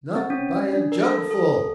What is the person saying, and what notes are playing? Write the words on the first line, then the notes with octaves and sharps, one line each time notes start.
"Not by a jugfull!"
C4
C#4
D4
A#4
A4
A4